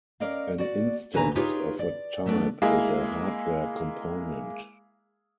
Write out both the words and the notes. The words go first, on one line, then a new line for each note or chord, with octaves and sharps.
An instance of a type is a hardware component.
C#4 A#4 D5 D#5 F5
F#4 D5
B2 D3 B4 G#5 A#5
D#4 F4 G4 G#4 B4 C#5
D5
F#3 A3 B3 D4
G#3 A#3 E4 G#4